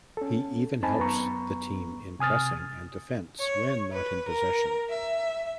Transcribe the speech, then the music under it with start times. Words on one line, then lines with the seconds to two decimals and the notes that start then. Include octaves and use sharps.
He even helps the team in pressing and defense when not in possession.
0.17 C#4 A4
0.83 C4 D#4 G#5 A5 B5
0.98 F#2 B3 B4 A#5 C#6
2.19 C3 G#5 D#6 F6 A6
3.40 C#5
3.92 B4
4.28 A#4
4.90 E5